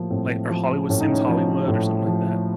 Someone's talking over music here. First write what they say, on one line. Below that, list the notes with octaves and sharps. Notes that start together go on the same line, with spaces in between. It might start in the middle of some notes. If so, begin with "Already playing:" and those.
Like a Hollywood Sims Hollywood or something like that?
Already playing: A2 F3 A#3
A2 C4
F3
A2 C#4
D#4
C#4
F3
A2
F3